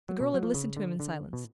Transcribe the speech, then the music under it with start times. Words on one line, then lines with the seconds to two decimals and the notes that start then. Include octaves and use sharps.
The girl had listened to him in silence.
0.09 F#3
0.20 B2
0.34 F#3
0.43 F3
0.54 C#3
0.77 D3
1.00 D3
1.33 B2